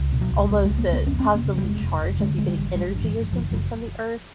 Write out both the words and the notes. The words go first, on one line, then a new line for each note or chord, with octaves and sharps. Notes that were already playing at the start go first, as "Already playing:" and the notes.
almost, uh, positively charged, like you're getting energy or something from the earth.
Already playing: C#2
B2
F#3
C#2
C#2 G3
G#3
C#2
A#3
C#2
B3
F2 C#4
C4
F1
A#3
C#3
G3
F1 G#3
F1
F1
D3 G#3
A1 G#3
G3
A1
A1 G3
G2
E3
A1
F#1 F3
F#1 F#3